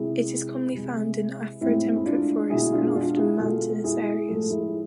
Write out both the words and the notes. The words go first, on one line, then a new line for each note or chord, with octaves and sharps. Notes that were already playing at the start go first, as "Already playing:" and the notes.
It is commonly found in afro-temperate forests and often in mountainous areas.
Already playing: C3 G#3 E4 G#4
C3 G#3
A2 G#3 C4 E4
E4
D4 F4
B2 G#3 E4 G#4
D4 F4
G#4
D4 F4
E4 G#4
B2 G#3 F4 A4
E4 G#4
A2 F3 G#3 F4 A4
E4 G#4